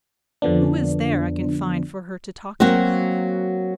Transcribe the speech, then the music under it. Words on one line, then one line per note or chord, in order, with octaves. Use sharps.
Who is there I can find for her to talk to?'
F2 D3 F3 B3 D4
F#3 A#3 C4 F#4